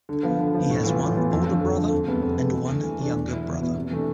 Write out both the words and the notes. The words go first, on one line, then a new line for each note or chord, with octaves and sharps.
He has one older brother and one younger brother.
D3
F3 B3
D3
F3 B3
A2
E3 B3 F4
A2
E3 B3 F4
F2
D3 F3
F2
D3 F3
F2
C3 G#3 B3
F2
C3 G#3 B3
E3
A3 D4
E3
A3 D4
E2
B2 B3 E4
E2
B2 B3 E4
C3
E3 A3 D4